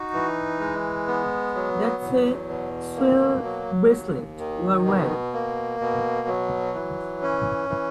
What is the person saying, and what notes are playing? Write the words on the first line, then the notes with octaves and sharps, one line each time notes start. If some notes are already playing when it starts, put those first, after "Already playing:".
That's a swell bracelet you're wearing.
Already playing: D#4 F#4
E3
G#3
B3
F#3
E2
B2
A#3
F#3
D#2
D#3
B2
A#3
B2
F#3
E3
C#4
E3